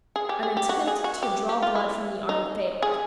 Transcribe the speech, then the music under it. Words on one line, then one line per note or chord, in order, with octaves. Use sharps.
An attempt to draw blood from the arm failed.
G#4
G4
G#4
G4
F#4
G#4
F#4
G4
G4
F4
E4
D#4
G#4